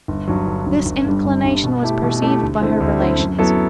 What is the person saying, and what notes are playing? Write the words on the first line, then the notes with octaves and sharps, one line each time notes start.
This inclination was perceived by her relations.
G1
G2 F#3
G1
G2 F#3
G1
G2 D3 G3
G1
G2 D3 G3
B2
A3 E4 G4
B2
A3 E4 G4
D2
D3 A3 C4 E4
D2
D3 A3 C4 E4
F#2
F#3 B3 E4 A4